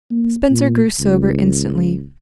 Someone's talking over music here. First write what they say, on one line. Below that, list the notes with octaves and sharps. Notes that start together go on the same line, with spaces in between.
Spencer grew sober instantly.
A#3
A#2
C#2